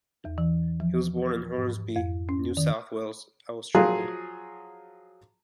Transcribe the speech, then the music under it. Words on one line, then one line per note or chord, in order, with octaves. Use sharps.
He was born in Hornsby, New South Wales, Australia.
E2
E3
F3
G#2
F2
C#4
D#3
F3 F#3 F4 G#4